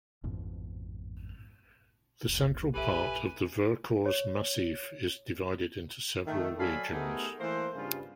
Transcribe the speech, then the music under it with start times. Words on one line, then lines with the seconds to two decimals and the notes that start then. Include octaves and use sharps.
The central part of the Vercors Massif is divided into several regions.
0.24 A1 F2 G#2 B2
2.25 F1 C2
2.74 A#1 F#2 G4 A4 B4 E5 G#5 B5
4.06 C#5
6.25 D#3 A3
6.58 F#3 A4 D5 F5 G#5 B5
6.93 A3 B3 D#4 G4 G#4 A#4
7.40 E3 A3 A#3 C5
7.75 G2 C#3 G3 B3 F4